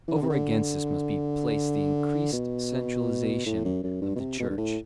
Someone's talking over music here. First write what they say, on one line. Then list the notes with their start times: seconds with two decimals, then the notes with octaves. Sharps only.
Over against this must be placed the increased centralisation of the Church.
0.08 E3
0.15 D3
0.22 C3
0.30 D3
2.33 B2
3.46 A2
3.65 F#2
3.83 F#2
4.02 G2
4.15 B2
4.20 C3
4.39 B2
4.50 G2
4.58 A2